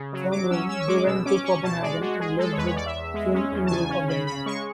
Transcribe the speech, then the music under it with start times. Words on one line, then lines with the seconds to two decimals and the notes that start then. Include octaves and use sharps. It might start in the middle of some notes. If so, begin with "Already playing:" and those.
From Rome they went to Copenhagen, and lived with Queen Ingrid of Denmark.
Already playing: C#3
0.13 F#3
0.31 F#3 D6
0.50 C#4 E6
0.69 C#4 E6
0.80 C#6
0.88 G#3 D6
1.07 B2 E6
1.26 C#4 D6
1.44 C#4 C#6
1.64 B2 A5
1.82 G#3 D5
2.01 G#3 F#4
2.20 G#3 G#4
2.38 G#3 A4
2.53 C#5
2.58 E2 B4
2.67 C#5
2.76 E2 D5
2.86 E5
2.95 E2
3.14 G#3
3.34 C#4
3.52 E2
3.66 A5
3.71 C#3 G#5
3.90 C#4
4.08 C#3 B5
4.27 C#3 B5
4.46 G#3 C#6